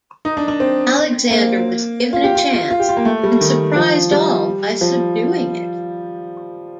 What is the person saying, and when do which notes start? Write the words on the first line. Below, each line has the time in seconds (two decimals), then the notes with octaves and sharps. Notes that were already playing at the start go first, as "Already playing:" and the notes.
Alexander was given a chance and surprised all by subduing it.
0.25 D#4
0.37 D4
0.48 D4
0.60 C4
1.30 A#3
2.13 F4
2.24 G4
2.35 F4
2.53 F4
2.71 F4
2.80 G4
2.89 F4
2.97 A#3
3.05 A3
3.23 G3
3.41 D#3
3.76 F3
4.11 G3
4.81 F3